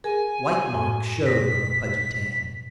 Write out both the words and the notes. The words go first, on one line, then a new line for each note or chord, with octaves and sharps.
White marks showed on the pudgy tan.
G#4 A#4 G#5
F#2 A2
B2 A#6 B6